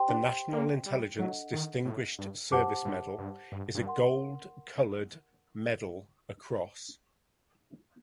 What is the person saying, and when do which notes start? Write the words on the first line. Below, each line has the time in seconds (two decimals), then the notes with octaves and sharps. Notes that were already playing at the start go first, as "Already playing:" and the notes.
The National Intelligence Distinguished Service Medal is a gold colored medal across.
Already playing: G4 C5 G5 C6
0.08 D4
0.53 A#3
0.86 G3
1.19 F#3 D4 A4 D#5 F#5
1.53 D#3
1.85 A2
2.19 G2
2.52 F#2 G4 C5 F#5 A5 D6
2.85 G2
3.18 G2
3.52 G2
3.75 G2
3.85 A#4 F#5 C6